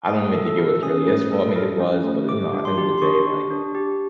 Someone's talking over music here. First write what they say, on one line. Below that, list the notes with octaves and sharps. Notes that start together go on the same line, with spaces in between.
I don't really think it was really his fault. I mean, it was. But, you know, at the end of the day, like,
A3 D#6
A4
E6
E4
C#4 D#6
A3
A4
E4
C#4
A3
G4 D6
D4
C6
G4
C6
D4 C#6
G4
D4
G4